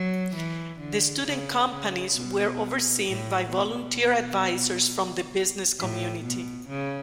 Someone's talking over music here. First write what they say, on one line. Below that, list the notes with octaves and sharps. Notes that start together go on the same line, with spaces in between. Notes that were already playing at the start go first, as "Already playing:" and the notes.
The student companies were overseen by volunteer advisers from the business community.
Already playing: F#3
E3
D3
C#3
C#3
B2
A2
B2
A2
B2
C#3